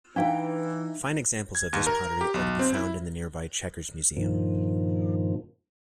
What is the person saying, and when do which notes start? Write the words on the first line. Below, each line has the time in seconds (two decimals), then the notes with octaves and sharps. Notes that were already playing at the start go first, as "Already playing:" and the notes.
Fine examples of this pottery are to be found in the nearby Chequers Museum.
0.16 E3 D4 D#4 F5 G5
1.55 G#6
1.73 D#2
1.87 A#4
2.21 G4
2.34 B1
2.59 C4
2.74 E4
4.17 G2 A#2 D#3 F3